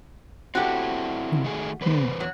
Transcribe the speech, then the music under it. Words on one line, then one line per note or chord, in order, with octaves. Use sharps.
Mm. Hmm.
C4 E4 F#4 G4 A4
D#3 A3 G#4
E2 B4 C5
F#3